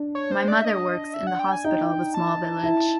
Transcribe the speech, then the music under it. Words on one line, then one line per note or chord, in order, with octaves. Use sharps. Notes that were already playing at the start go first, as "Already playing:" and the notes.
My mother works in the hospital of a small village.
Already playing: D4
C#5
C5
D5
E5
D#5
E5
F#5
G5
G#5
D#4 G5
A5
E4